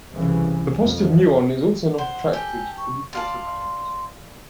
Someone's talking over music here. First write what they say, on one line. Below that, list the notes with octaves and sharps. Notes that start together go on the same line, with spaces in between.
The positive muon is also not attracted to the nucleus of atoms.
C2 C#3 E3
F2
C5 F#5
G4 A4 G#5
C#6
D5 F5 A5 C6